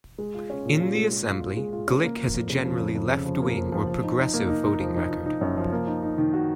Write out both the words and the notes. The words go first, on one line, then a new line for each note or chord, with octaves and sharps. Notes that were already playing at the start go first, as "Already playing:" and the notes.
In the Assembly, Glick has a generally left wing or progressive voting record.
G#3
F4
C#4
A#2
F4
G#3
G#3
F4
F4
G#3
F4
C#4
A#3
F3
F2
C#3
F3
F2
F2
C#3
F3
A#3
F3
F3
F3
D#4
D#4
A#3
D#4
D#4
F3
D#4
D#4
D#4
F#2
F3
A#3
D#4
D#4
D#3
F#4